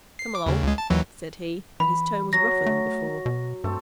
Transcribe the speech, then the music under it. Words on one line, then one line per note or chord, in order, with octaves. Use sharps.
'Come along,' said he, and his tone was rougher than before.
C7
D6
D#2 C#3
C#2 G#3
A5
D#2 E3 F#3
E3 B5
F#3 F#4 A#6
A3
B2
G2 A3 C4